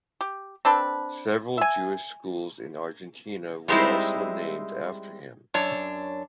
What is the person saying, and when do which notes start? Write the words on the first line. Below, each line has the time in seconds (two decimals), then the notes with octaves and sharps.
Several Jewish schools in Argentina were also named after him.
0.21 G4
0.65 C4 D4 A4 B4
1.58 E5 G#5
3.68 G3 G#3 C4 D#4 E4
5.54 F#2 D4 C#5